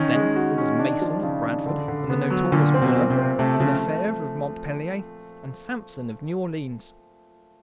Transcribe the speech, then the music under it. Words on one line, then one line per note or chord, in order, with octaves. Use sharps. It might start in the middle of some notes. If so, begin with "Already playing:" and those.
Then there was Mason of Bradford, and the notorious Muller, and Lefevre of Montpellier, and Samson of New Orleans.
Already playing: D#3 C#4
G#3
F#4
C#4
D4
F3
C#3
D4
D3
D3
B3
F#3
A#2 D3
C4
B2
A#2
C3
C4
C3 A3
C#3 F3